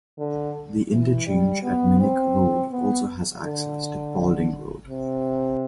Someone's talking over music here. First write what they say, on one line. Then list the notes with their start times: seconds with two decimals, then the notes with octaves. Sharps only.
The interchange at Minnich Road also has access to Paulding Road.
0.19 D3
0.91 E3
1.27 G3
1.63 B3
1.99 C4
2.71 B3
3.43 D3
4.88 C3